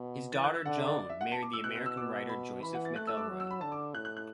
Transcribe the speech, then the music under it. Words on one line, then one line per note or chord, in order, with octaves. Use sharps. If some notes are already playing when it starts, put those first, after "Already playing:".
His daughter Joan married the American writer Joseph McElroy.
Already playing: B2
E3 A6
F#6
E6
D3 F#5
E5
D5
D5
E5
F#5
A5
D6
E6
B2 F#6
F#6
E6
D6
B5
E3 B5
F#5
A6
A3 F#6
E6
D6
F#3
E6
B5
D3 A5
D6
A2 F#6
F#6
F#6